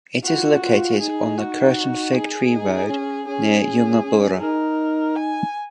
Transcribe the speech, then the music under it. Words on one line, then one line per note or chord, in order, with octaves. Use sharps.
It is located on the Curtain Fig Tree Road, near Yungaburra.
F4 F#4
F4
D#4 G#4
D#4 F#4
G#4
D#4
C#4
C#4 G#4
C#4
D#4 A#4
G#5